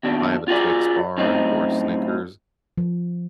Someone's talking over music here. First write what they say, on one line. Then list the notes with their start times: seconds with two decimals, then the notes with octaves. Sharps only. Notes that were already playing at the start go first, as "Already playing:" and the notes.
if I have a Twix bar or Snickers
0.03 D#2 B2 D4
0.48 F4 F#4 G#4 D5
1.18 F#2 A2 C4 D#4
2.78 F3